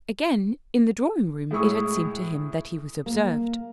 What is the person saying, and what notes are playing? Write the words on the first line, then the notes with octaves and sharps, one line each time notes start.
Again, in the drawing-room it had seemed to him that he was observed.
A2 G#3 E4 C#6 D#6
A#3